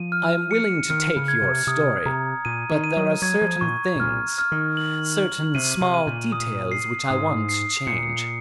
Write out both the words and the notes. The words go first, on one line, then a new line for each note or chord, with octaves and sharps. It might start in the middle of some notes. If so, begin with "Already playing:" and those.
"I am willing to take your story, but there are certain things, certain small details which I want to change."
Already playing: F3 D#7
F6
C#7
D#3 F6
C#3
G#6
C3
C3 D#6
C3 A#5
A#2 D#7
D#3
D#7
F#3
F#3 G#6
F3
A#2 C#6
C3
A#2 F6
F6
D#3
F#7
F#7
C3 D#7
C3
D#7
A#2
D#6
C7
G#2 D#6
C7
A#2 C#7